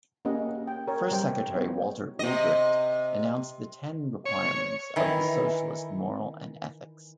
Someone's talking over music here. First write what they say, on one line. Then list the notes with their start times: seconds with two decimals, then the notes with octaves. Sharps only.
First Secretary Walter Ulbricht announced the "ten requirements of the socialist moral and ethics".
0.25 A#3 C#4 G4 D#5 F#5
0.67 G5
0.87 A#4 C#5
1.11 G3 C5 G5
1.54 B3 D#4 C#5
2.19 C3 D#5
4.26 C#5
4.96 D#3 E3